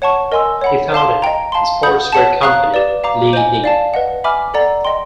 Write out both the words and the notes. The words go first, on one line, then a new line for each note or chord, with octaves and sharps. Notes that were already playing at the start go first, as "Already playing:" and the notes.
He founded the sportswear company Li-Ning.
C#5 F#5 A5 C#6
A#4 D#5 G#5 C6 E6
C#5 F#5 B5
C5 F5 A5 C6
D#5 G5 A#5
F5 A5 C6
F#5 B5 D#6 G6
C#5 F#5 A5
F5 A#5 D#6 F#6
G4 B4 D5
F5 A#5 D6
C5 D#5 G#5
D5 F5 A5
B4 D#5 F#5
E5 G#5 B5 D6 F6
A4 D5 F#5 A#5
D#5 G5 C6